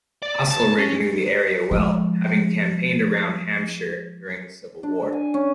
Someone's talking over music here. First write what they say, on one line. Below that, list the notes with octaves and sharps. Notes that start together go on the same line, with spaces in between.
Haselrig knew the area well having campaigned around Hampshire during the civil war.
D5
A5
C#4
F3 G#3
D4
G#5
C#4